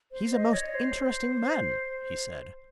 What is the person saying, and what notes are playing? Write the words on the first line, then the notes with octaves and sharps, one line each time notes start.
"He's a most interesting man," he said.
C5
D#5
C#5
C5